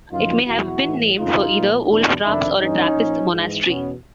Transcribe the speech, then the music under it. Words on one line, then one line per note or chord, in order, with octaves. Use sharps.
It may have been named for either wolf traps or a Trappist monastery.
F#2 D3 F3 D#4 F4
E2 B2 E4 F#4
A2 E3
F2 C#3 F3 D#4 F4
A#2 F3
E2 B2 D4 E4
F2 C3 D#3 D4 E4
G2 E3 C#4 D#4
A#2 F3
G#2 E3
E2 B2 B3 C#4